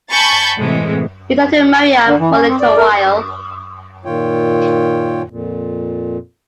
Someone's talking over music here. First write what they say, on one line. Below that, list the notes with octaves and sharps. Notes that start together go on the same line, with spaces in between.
He talked to Miriam for a little while.
G#5 A5 B5 C#6 G6 A6
A2 C3 E3 G#3 A3
D3
E3
C#4
C4
D5
A#4
A#2 D#3 F4 C#5 G5
F2 A#2